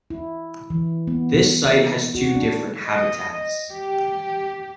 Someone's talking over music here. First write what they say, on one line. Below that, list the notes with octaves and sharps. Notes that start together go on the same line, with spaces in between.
This site has two different habitats.
E4
E3
B3
B2
B3
F#4
D4
D#5
G4